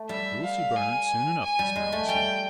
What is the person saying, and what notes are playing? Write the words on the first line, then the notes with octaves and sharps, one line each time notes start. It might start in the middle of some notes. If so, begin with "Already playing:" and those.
"You will see Bernard soon enough, Miss Malleson."
Already playing: A3
G3 E5
F5
G#5
G#5
G3
G#3
A3
G3 G5